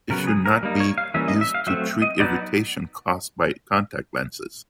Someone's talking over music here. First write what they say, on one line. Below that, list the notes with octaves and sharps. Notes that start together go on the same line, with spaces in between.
It should not be used to treat irritation caused by contact lenses.
C#3 F#3 B3 A#4
G#4
A#4
G3 A#3 D#4
C#5
F5
E3 G3 A#3 C#4 E5
D#5
E5
F5
F#3 A3 C4 E5
D#5
F#3 B3 D#4 D5